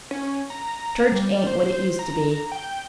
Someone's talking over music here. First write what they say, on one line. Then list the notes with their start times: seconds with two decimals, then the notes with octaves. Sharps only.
Church ain't what it used to be.
0.11 C#4
0.50 A#5
1.12 G3
1.47 C5
1.99 A#5
2.52 G5